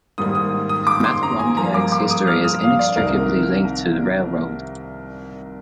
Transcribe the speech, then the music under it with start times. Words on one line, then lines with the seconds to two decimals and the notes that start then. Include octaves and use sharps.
Mattawamkeag's history is inextricably linked to the railroad.
0.18 G#2 D#3 G3 A#3 D#6
0.35 D#6
0.69 D#6
0.87 D6
1.04 C6
1.23 A#5
1.39 G#5
1.57 G2 F3 A#3 A#5
1.74 D6
1.92 D6
2.10 D#6
2.27 F6
2.44 D#6
2.61 F5
2.79 D5
2.96 C2 C3 D#3 A#4